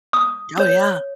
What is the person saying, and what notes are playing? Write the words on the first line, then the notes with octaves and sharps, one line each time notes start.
Oh, yeah.
D#6
C#5